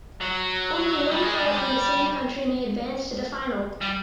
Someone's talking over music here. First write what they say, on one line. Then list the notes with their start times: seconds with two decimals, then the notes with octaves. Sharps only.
Only one pair from the same country may advance to the final.
0.21 F#3
1.11 G3
1.22 G#3
1.34 G3
1.45 G#3
1.56 G3
3.82 G3